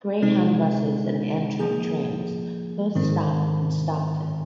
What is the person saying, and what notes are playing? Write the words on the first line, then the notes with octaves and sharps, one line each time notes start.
Greyhound buses and Amtrak trains both stop in Stockton.
C3 G#3 C4 D#4
F3 A#3 G#4
G#2 D#3 C4